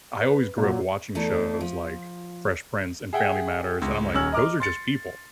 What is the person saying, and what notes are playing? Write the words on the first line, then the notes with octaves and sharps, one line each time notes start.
I always grew up watching shows like Fresh Prince and Family Matters, and I'm like, "Those are just people,"
B4
A#2 F#3
E2 A3 D#4 E4 A4
F3
G#4 E5 F#5 G5
C#2
D#1 D#3 C#4 E6 F6 F#7
D#5 A#5 D6 F6
C6 A6 C#7